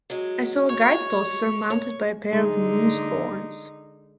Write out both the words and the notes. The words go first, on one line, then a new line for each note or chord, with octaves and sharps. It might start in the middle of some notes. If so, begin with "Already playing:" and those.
I saw a guidepost surmounted by a pair of moose-horns.
F#3 G#3
C#5
C#5
D3 G#3 D#4